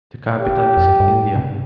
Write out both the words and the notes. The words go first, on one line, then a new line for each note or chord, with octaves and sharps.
The capital is Kindia.
G4
F2
G2
G2
G#2
C3